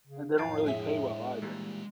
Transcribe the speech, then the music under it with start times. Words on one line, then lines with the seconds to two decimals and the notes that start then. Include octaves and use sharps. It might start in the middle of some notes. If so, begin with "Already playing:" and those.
And they don't really pay well either.
0.07 C#3
0.39 F2 A2 F5 G5 A5
0.66 G#3 D4 G#4 E5
1.42 A#2 E3 G3